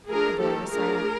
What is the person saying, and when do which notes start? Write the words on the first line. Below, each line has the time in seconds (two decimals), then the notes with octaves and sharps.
The boy was silent.
0.09 F3 A3 D4 G#4 A#4
0.40 D#3 G3 A#3 G4 A4
0.70 F3 A3 D4 G#4 A#4